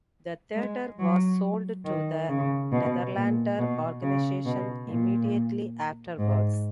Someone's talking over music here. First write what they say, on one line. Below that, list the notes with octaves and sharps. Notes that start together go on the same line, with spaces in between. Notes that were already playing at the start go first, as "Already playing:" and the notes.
The theatre was sold to the Nederlander Organization immediately afterwards.
G#3
F#3
D#3
C#3
B2
A#2
B2
C#3
B2
A#2
G#2